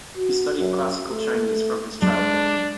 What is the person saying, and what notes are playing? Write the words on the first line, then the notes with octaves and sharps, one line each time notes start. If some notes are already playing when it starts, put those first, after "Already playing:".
He studied Classical Chinese from his childhood.
F#4
F#2
A3
G#3 D4